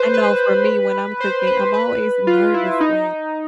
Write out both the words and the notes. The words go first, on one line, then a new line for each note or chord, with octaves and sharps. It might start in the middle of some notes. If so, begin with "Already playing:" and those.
I know for me when I'm cooking I'm always nervous like,
Already playing: B4 C5
B4
C5
B4
B4
F4
E4
D#4